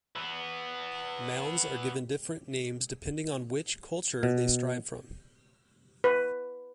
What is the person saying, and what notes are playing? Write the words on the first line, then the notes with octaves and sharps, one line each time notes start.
Mounds are given different names depending on which culture they strive from.
E3 B3
B2
B4